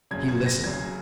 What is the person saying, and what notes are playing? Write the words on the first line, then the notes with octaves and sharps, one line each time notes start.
He listened.
F#1 F#2 C#3 G#6
G#6
A#6
F#1 F#2 C#3 G#6